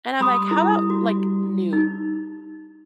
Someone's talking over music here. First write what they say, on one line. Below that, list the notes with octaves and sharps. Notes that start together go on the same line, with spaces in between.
and I'm like, "How about, like, noon?"
G3 B5 C6 D#6
E4
F#4
D#4